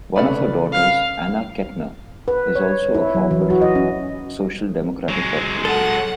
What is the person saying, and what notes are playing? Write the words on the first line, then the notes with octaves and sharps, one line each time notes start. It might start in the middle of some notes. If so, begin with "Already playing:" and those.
One of her daughters, Anna Kettner, is also a former Social Democratic politician.
C#3 A3 B4 D5 F#5
F5
B4
C#5
E4
F#3
E3
F#4
D#5
C#4
F#3 G#3
A4 F#5